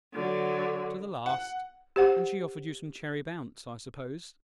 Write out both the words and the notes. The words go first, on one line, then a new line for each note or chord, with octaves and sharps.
"To the last! and she offered you some cherry-bounce, I suppose."
D3 F#3
F#5
G4 C5 F#5